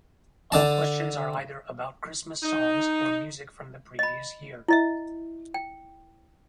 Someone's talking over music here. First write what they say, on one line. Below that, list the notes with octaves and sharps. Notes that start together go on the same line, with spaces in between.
All questions are either about Christmas songs, or music from the previous year.
D3 D5 A5
D#4
D#5 B5
E4 D#5 E5
G5